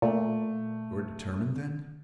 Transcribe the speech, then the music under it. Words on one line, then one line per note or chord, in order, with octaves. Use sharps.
"You are determined then?"
A#2 A3